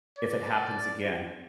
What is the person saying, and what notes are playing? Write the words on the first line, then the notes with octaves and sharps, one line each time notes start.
if it happens again,
D5